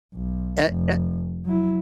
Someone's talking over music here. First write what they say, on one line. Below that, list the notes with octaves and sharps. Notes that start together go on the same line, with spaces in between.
A a
B1
F1
F#3 E4